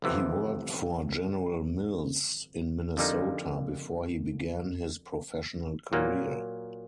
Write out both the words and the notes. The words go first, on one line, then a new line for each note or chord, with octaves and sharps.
He worked for General Mills in Minnesota before he began his professional career.
G1 F2 C3 E3
F2 D3 G3 A#3 D#4
A#2 F#3 A#3